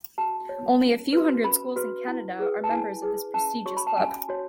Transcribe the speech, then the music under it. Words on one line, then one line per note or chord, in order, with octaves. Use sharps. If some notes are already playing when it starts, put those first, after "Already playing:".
Only a few hundred schools in Canada are members of this prestigious club.
F#4 A5
C#5
C#4
F#4 B4
C#4 B5
F#4 B4
E4
G#4 B4
A5
E4 G#5
G#4 B4
C#4 A5
F#4 C#5 C#6
B5
A5
C#4 G#5
F#4 C#5